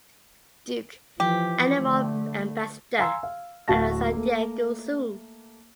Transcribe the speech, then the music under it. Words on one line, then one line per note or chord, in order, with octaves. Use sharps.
Duke; animal ambassador at the San Diego Zoo.
E3 F3 G4
D3 A3
F5 G#5 A#5 C6 E6
F5
D1 F#4 F5 A5 A#6
A3 A#3